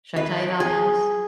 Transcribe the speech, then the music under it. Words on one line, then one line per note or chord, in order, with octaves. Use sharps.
should I tell you how it ends?
B4
G#4